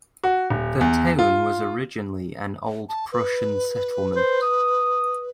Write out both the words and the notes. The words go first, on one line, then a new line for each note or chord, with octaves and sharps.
The town was originally an Old Prussian settlement.
F#4
D#1
E2
F4
A5
B4
C5
D#6